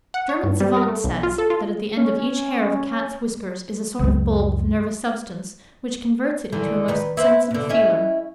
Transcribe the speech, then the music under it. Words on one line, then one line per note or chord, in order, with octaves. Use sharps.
A German savant says, that at the end of each hair of a Cat's whiskers is a sort of bulb of nervous substance, which converts it into a most sensitive feeler.
F#5
C#5
G2
G3
A#4
A3
B1
F4
A4
F4
C#4
C#2 F#2
E2 D3 D#3
D#3 B4
E4 B4 C5
B2 D3
C#4 E4 D#5